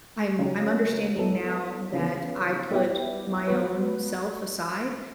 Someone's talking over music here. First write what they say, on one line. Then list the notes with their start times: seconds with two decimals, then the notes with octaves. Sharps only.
I'm I'm understanding now that I put my own self aside
0.39 C#3 F#3 C#4 G4
1.16 F#3 B3 E4 A4
1.93 C#3 E3 B3
2.71 G3 B3 E4 G4
3.47 F#3 B3 F#4 B4